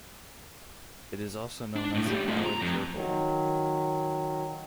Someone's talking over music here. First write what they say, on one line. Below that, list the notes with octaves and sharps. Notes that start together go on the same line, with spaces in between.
It is also known as the pallid gerbil.
D4
A2 A3
A3 G4
A3 F4
A#5
F2
D#3 F#3